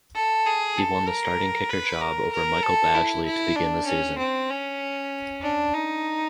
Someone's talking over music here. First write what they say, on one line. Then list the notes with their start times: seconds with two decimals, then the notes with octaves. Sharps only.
He won the starting kicker job over Michael Badgley to begin the season.
0.15 A4
0.46 G#4
0.78 A4
1.08 A#4
1.70 B4
2.01 A#4
2.33 A#4
2.63 A4
2.94 E4
3.26 E4
3.56 D4
3.86 C#4
4.18 C4
4.49 C#4
5.42 D4
5.74 D#4